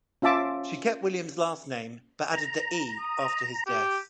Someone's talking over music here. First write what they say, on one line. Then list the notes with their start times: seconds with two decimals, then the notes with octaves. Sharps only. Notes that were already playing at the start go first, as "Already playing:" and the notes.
She kept William's last name but added the "e" after his death.
0.22 C#4 F4 E5 A5 D6
2.32 A#5
2.99 D#6
3.67 G4